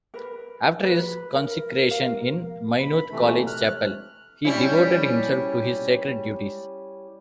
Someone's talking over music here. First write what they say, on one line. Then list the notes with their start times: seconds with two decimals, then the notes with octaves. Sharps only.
After his consecration in Maynooth College chapel, he devoted himself to his sacred duties.
0.14 A#4 B4
0.84 B4
1.32 A#4
1.91 F5
2.80 B5
3.11 C3 E3 A3
3.47 F6 F#6
4.45 G3 C#4 E4